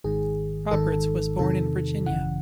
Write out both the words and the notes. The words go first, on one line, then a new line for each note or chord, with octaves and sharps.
Roberts was born in Virginia.
G#1 G#2 D#3 G#4
G#1 G#2 D#3 A4
E2 C3 D#3 A4
G#1 F#2 C#3 E3 F#5